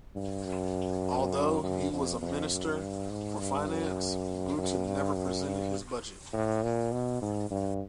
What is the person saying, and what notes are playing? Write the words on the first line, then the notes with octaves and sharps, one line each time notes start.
Although he was Minister for Finance, Bruton never presented his Budget.
G2
F#2
F#2
F2
F2
F#2
G2
G#2
G2
F#2
F#2
G2
F#2
G2
A2
A#2
B2
G#2
G2